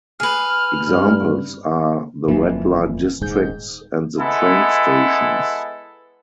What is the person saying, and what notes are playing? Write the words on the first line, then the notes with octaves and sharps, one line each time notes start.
Examples are the red-light districts and the train stations.
G#4 B4 F6
G2
D#1 F2 E3 F#3 A#3
D#1 G#2 G#4 G6
G#3 B3 E4 A4